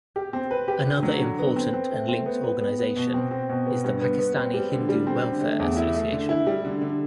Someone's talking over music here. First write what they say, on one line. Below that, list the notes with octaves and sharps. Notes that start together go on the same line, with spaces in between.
Another important and linked organization is the "Pakistani Hindu Welfare Association".
G4
C4
B4
G4
D3
F#3
D3
B3
C4
C4
A3
C4
B3
B3
B3
B3
B2
C4
C4
B2
B3
G2
B3
B3
C4
G3
D3
G3
C4
D3
A3
E2
E4
A3
D3
E4
G3
D3
D3